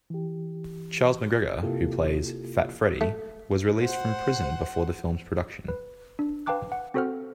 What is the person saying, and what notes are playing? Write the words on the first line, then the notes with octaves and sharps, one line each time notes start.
Charles McGregor, who plays Fat Freddie, was released from prison before the film's production.
E3 G4
C3 A#3 E4 F4 G4 A4
A3
C5 F#5
B4
D4
B4 F5 G5 A5 D6 F#6
F#5
C4 F#4 A4 C5 F#5 F6